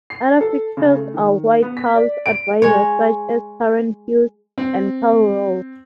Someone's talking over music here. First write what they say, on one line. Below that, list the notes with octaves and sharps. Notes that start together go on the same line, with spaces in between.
Other fixtures are White House advisers such as Karen Hughes and Karl Rove.
C7
A4
C#3
A3
D#3
B3
B6
D5
D7
G#3 C#5
C4